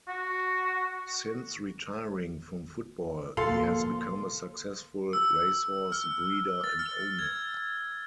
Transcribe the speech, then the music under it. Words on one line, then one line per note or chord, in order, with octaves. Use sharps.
Since retiring from football, he has become a successful racehorse breeder and owner.
F#4
B2 F3 A#3 A4 F5 C6
E6
F6
A6
F6
G#6